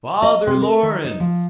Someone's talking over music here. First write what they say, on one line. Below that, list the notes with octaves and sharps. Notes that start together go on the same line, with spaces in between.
'Father Laurence!
D#5
C3
A#4
D#3
D#4
F3